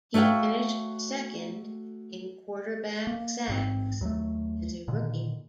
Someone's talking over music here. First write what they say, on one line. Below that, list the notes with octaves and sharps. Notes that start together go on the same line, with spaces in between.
He finished second in quarterback sacks as a rookie.
A3 F#4 C#5 F5 G5
A#3
A1 G#2 C4
D#2 F#3 G#3 A3
A#2 D3 D#3